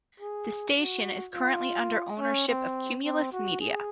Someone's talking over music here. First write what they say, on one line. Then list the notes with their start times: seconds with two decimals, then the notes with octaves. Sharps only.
This station is currently under ownership of Cumulus Media.
0.20 G#4
0.77 F#4
1.33 F4
2.19 C#4
2.48 C4
3.04 C4
3.32 F#4
3.60 G#4